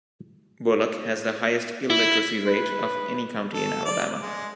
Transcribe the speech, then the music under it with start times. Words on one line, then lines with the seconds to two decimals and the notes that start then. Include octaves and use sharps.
Bullock has the highest illiteracy rate of any county in Alabama.
1.90 E4
2.47 B4
3.53 A4
3.85 D5
4.22 G#3